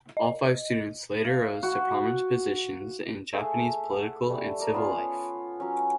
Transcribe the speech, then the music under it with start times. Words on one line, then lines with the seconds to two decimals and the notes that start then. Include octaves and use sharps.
All five students later rose to prominent positions in Japanese political and civil life.
0.17 D#5
1.25 F5
1.63 F#4
3.33 A3 G#4 E5
3.90 F#5
4.30 G3 A3 E5
4.60 A#4 D5
4.74 B3 C#4 F4 C#5
5.60 F#3 C#4